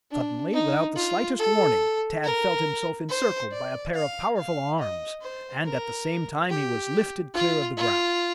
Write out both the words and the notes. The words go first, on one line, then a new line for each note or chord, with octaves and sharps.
Suddenly, without the slightest warning, Tad felt himself encircled by a pair of powerful arms, and, at the same time, he was lifted clear of the ground.
D4
D#4
F4
A4
A#4
C5
D5
F5
F5
D#5
C5
A#4
G4
F4
F4